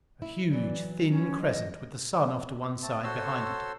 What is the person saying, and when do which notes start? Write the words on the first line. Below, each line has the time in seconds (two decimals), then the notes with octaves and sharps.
A huge, thin crescent, with the Sun off to one side behind it.
0.22 E4
0.51 E3 F#3 D5
1.08 C#4
1.41 D#5
2.82 A3 C4 A5
3.04 F#4 A4 C5 C#5 C6 E6